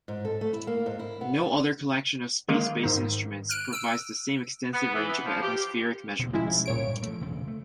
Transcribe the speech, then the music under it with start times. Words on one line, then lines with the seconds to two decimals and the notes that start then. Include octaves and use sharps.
No other collection of space-based instruments provides the same extensive range of atmospheric measurements.
0.08 G#2
0.25 A4
0.41 A3
0.53 E4
0.67 A#3
0.86 G#2
0.99 E4
1.21 B3
1.33 D5
2.48 D#3 G#3 A#3
2.83 G#2 D#3
3.49 F6 F#6 D7
3.73 E6 D7
4.74 B3
4.94 E3
5.08 B3
5.25 F3
5.42 G4
6.19 A#2 C4
6.33 B1 G2 F3 G#3 C#4 E4
6.66 A#2 C#5 D7
7.03 F3 A3
7.21 E1 C#3 A3
7.48 A3